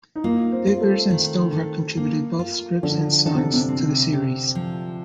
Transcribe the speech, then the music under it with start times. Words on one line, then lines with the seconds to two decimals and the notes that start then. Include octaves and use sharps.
Biggers and Stover contributed both scripts and songs to the series.
0.16 D#4
0.24 A#3 F4
0.52 C4
0.67 F4
0.81 A3
1.10 D#3
1.53 A4
1.97 A#3
2.39 F4
2.83 D3 F3
3.26 D3 A4
3.35 C3
3.54 C3
3.69 C4
4.12 G4
4.55 F3